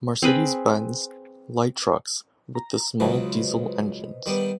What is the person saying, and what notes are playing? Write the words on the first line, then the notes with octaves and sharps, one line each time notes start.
Mercedes-Benz light trucks with the small diesel engines.
C4 G#4 B4
A#5
C#2 C#3 F#3 B4 C5 D#5
D#3 G3 B3